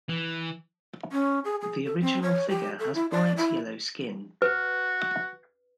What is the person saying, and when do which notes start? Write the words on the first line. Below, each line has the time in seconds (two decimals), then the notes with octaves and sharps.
The original figure has bright yellow skin.
0.09 E3
1.12 C#4
1.45 G#4
1.61 G#4
1.84 A4
2.01 C4
2.22 C#5
2.49 G4
2.79 A4
2.95 E4
3.11 D5
3.37 E4
4.42 F#4 B4